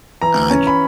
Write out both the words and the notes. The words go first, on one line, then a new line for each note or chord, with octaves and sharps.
I j
E3 A#5
C#4
B5